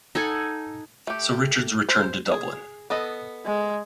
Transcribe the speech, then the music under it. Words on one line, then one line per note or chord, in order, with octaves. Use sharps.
So Richards returned to Dublin.
D#4 A4 F#5 G#5
A3 G4
C5
G#4
B3 A4 D#5
G#3